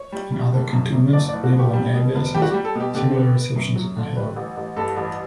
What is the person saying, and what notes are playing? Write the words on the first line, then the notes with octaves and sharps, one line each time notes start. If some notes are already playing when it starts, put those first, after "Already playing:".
In other Cantonments, naval and air bases similar receptions are held.
Already playing: C#5
G3
G3
F#1
F#2
F#2
F#1 D5
D5
F#1
F#4
F#1
G4
G3
B2
E1
G3 G4
F#4
G4
G3
A4
B2 G4
D3 G4
B3
B3
F#2
F#3
D3
G3 B4
A1
A1
G2 A4
A1